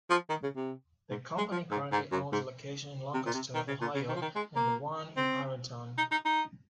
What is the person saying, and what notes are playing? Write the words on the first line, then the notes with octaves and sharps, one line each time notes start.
The company currently owns the location in Lancaster, Ohio and the one in Ironton.
F3
D#3
C#3
C3
G#2
G#3
F3
G#2
G#2
F#2
G#2
C3
A#2
C3
D#3
C#3
A#2
C#3
D#3
F3
D#3
G#3
A#3
C4
D#4
D#4
D#4